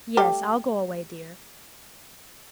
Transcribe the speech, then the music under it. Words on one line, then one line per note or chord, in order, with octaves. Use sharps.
'Yes, I'll go away, dear.
G3 A3 G4